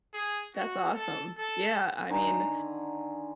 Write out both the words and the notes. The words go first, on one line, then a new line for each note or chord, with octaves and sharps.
That's awesome. Yeah, I mean,
G#4
F#4
A4
A4
D3 D#3 G#5 A#5